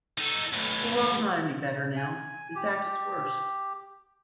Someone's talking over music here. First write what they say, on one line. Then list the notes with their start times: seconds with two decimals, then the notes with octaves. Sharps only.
The world's not any better now - in fact, it's worse.
0.18 D#4 A4
0.53 B1 A2
1.96 G#5
2.55 G4